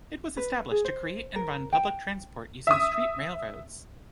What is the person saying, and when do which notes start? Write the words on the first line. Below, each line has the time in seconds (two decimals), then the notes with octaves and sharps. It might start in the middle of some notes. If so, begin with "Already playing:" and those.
It was established to create and run public transport using street railroads.
0.37 B4
0.71 G#4
0.85 C5
1.36 A#4
1.73 G5
2.67 E5 D#6